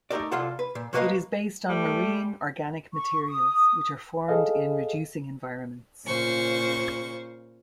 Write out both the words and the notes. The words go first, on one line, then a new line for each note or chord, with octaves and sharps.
It is based on marine organic materials, which are formed in reducing environments.
A3 D#4 G4 A#4 D5
C2 F#3 F4 A4 D5 F#5
B4
A#2
F3 A#3 F#4 B4 D#5 F5
G3 A3
C#6
D#6
G#4 A4 D#5 F5
A#2 C#3 F4 C5 C#6